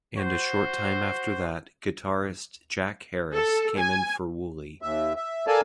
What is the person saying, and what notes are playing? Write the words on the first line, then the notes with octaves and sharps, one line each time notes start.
And a short time after that, guitarist Jack Harris came in for Woolley.
F#4 C5
A4
G#5
D#2 E5
E5
A4 A#4 D5 F5 G#5 A5